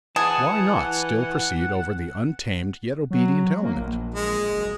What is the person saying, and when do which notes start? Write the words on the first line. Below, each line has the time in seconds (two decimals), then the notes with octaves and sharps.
Why not still proceed over the untamed yet obedient element?
0.16 E3 G#4 F#5 A5
3.11 F#3
3.63 A#3
3.76 A#1
4.15 G#3
4.52 F#1